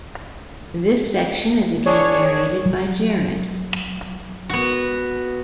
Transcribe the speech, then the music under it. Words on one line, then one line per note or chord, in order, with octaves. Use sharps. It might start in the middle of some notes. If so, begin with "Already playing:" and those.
This section is again narrated by Jared.
D4 G#4 C#5
F#3
B3 F#4